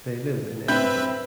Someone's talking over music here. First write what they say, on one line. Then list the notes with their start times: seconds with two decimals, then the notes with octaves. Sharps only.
They live in Edinburgh.
0.68 C4 B4 E5 G6 B6